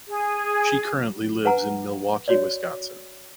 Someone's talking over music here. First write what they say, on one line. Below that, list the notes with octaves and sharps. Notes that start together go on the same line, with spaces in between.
She currently lives in Milwaukee, Wisconsin.
G#4
B4 F#5 G#5 A#5
F#4 C#5 D5